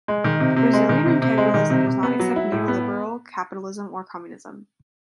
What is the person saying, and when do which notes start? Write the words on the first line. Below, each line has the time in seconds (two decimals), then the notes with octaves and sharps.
Brazilian integralism does not accept neoliberal capitalism or communism.
0.08 G#3
0.24 D#3
0.40 C3
0.57 C3
0.73 G#3
0.89 D#3
1.06 C3
1.22 C3
1.38 G#3
1.54 D#3
1.70 C3
1.87 C3
2.03 B3
2.20 F#3
2.36 E4
2.52 A2
2.68 B3